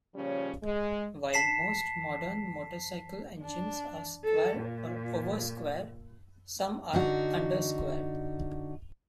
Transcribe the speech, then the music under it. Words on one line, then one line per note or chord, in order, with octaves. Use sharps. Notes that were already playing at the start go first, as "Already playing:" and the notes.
While most modern motorcycle engines are square or oversquare, some are undersquare.
A#2 C#3 F3 G3 C#4 C#5
G#3
A5 B6 C7 E7
D4
A4
A#2
D3 D#4 F#4